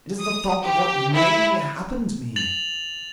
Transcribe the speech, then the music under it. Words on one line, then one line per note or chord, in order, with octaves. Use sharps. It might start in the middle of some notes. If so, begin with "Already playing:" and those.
"It is the thought of what MAY happen to me."
D#6
G4
E4
A6 F7 F#7